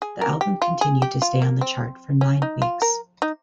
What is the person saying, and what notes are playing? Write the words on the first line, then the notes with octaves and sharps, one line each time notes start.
The album continued to stay on the chart for nine weeks.
G#4
A#4
G4
F4
G#4
G4
F4
A#3
C4
C#4
D#4
F4
A#4
D#4